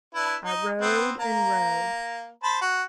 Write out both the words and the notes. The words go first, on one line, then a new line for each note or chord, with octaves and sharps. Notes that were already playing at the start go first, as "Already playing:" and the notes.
I rode and rode.
D4 E4 B4
D#4
B3 C4
A#3 A#5
C5 A5 B5
F#4